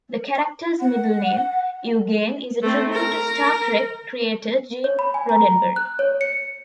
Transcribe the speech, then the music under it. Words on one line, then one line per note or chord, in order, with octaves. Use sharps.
The character's middle name, "Eugene", is a tribute to "Star Trek" creator Gene Roddenberry.
F#5
A3 C4
A#4
C#5
B5
G#5
A#5
F#6
C#5
C#7